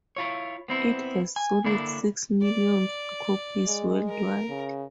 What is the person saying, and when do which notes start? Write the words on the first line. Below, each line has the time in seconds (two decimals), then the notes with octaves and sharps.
It has sold six million copies worldwide.
0.16 E4 F4 C#5
0.68 B3 C4 E4
1.36 G#5
1.65 D3 A#3 D4 E4
2.42 D5
3.67 G#3
4.08 A#4
4.49 C#3